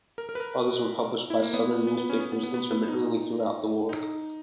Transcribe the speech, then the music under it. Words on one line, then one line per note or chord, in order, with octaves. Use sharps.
Others were published by Southern newspapers intermittently throughout the war.
A#4
A#4
B4
A#4
E4
A#3
B3
B3
B3
C#4
B3
B3
B3
B3
B3
D#4
D#4